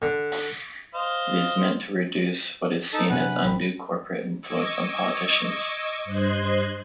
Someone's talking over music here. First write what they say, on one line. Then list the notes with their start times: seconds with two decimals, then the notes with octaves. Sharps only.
It is meant to reduce what is seen as undue corporate influence on politicians.
0.02 D3
0.95 C5 D#5 F5
2.93 D#4 A4 A5
3.10 F#2 C3 D4 B4 F#5 G#5 F#6
3.45 A1 C4 B5
4.41 D#5 C#6 D6 E6 G#6
6.05 G2 C5 D#5 C6 F#6 G#6